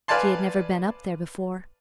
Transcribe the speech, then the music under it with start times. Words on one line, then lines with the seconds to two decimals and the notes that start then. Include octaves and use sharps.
She had never been up there before.
0.08 B4 D5 F5 G#5 A5 C6